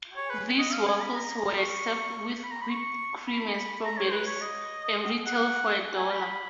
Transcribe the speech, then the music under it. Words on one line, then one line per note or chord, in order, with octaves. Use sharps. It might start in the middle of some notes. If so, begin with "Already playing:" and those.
These waffles were served with whipped cream and strawberries, and retailed for a dollar.
C#5
B4
D#5
F5
G#5
B5
A#5
C#6
B5
A#5
B5
C#6
B5
A#5
C#5
B4
C#5
D#5
F#5
G#5
B5